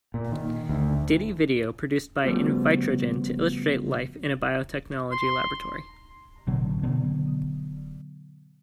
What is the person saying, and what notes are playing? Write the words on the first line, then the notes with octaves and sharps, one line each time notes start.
Diddy video produced by Invitrogen to illustrate life in a biotechnology laboratory.
A#2
D#3
D2
C#3 F3 G3 A3 B3 F#4
C6
A1 B2 D3 F#3
B2 D3 F#3 B3